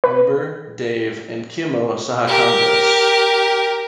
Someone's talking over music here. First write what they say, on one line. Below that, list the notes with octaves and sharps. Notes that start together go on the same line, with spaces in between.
Weber, Dave, and Kimmo Sahakangas.
B4
G4 A#4